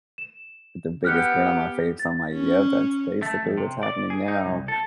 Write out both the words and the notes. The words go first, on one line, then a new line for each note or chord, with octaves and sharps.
with the biggest grin on my face. I'm like, "Yeah, that's basically what's happening now."
E7
B3 G4 F6 F#6 C#7
A6
C#4
A3
F2
C3
D5
G#4
D#4
C2
A4